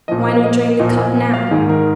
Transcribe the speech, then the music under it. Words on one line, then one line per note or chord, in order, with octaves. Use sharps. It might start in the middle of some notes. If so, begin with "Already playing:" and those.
Why not drain the Cup now?
A#2 F3 D#5
D#5
A#2 F3 D#5
G#5
G#5
F5
G#2 D#3 G#4
A#4